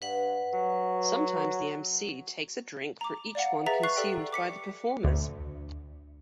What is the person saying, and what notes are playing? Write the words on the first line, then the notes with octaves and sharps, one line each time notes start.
Sometimes the emcee takes a drink for each one consumed by the performers.
G2 B4 F#5
F#3
A#5 D6
D5 F5 F#5
G#4 B4 E5 A#5 A6 B6
C#6 F#6 C7
G4 A4 D5 G5
D6 B6 C#7
D2